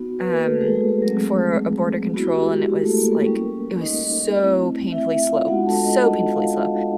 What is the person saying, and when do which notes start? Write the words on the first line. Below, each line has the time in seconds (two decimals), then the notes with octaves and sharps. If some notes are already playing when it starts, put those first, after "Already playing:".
um for a border control, and it was like it was so painfully slow, so painfully slow,
Already playing: B3 D#4 F#4
0.19 B3 B4
0.33 A#3 A#4
0.47 A3 A4
0.61 G#3 G#4
0.75 G#3 G#4
0.89 G#3 G#4
1.02 F#3 A3 C4
2.14 B3 F#4
2.18 E4
2.28 G4
2.42 G#3 G#4
2.56 G4
2.70 G4
2.83 A3 A4
2.97 A#3 A#4
3.11 A#3 A#4
3.25 G3 A#3 C#4
3.81 D#4 D#5
4.36 A3 C4 E4
4.92 E4 E5
5.11 E4 E5
5.29 F4 F5
5.48 G#3 B3 D4 F4 F#4 F#5
5.66 A4 A5
5.84 D#4 D#5
6.03 D#4 D#5
6.17 D#4 D#5
6.31 F4 F5